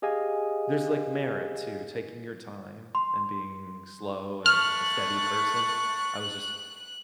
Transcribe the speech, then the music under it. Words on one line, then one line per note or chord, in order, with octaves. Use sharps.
there's, like, merit to taking your time and being slow and a steady person. I was just
G4 G#4 D#5 F5 G#5
C6
A5 C#6 F6 F#6